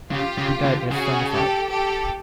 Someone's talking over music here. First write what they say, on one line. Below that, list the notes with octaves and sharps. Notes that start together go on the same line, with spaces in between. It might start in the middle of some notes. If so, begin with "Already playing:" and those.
He died at Summerside.
C#3 F4 G4
C#3
D3
C#3 F#4 G#4
G4 A4
G4 A4